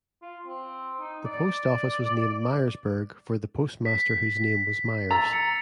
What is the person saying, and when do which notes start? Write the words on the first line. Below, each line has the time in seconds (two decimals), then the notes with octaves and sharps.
The post-office was named Miersburg for the postmaster whose name was Miers.
0.22 F4
0.47 C4
1.00 D#4
1.26 D5
3.85 B6
5.11 A#5 E6 A6 F7
5.33 C#7